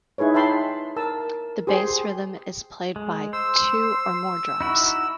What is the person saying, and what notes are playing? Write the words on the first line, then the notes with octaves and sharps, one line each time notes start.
The base rhythm is played by two or more drums.
D#4 E4 G#4 B4 C#5
E5 G5 A5 B5 C6
A#4 A5 E6
G4 G#4 C5 C6
G#3
C5 E6
D#4 E4 F#4